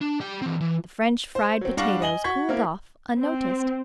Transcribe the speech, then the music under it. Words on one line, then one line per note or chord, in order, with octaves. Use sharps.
The French fried potatoes cooled off, unnoticed.
D4
G3 G5
E3 C4
E3
C5
F#3 C4
G3 D4 F5 F#5 C#6 A#6
D#5 G#5 F#7 G7
F#4 F#5 C#6 G#6 B6
A#3 C4 E4 A#4
C4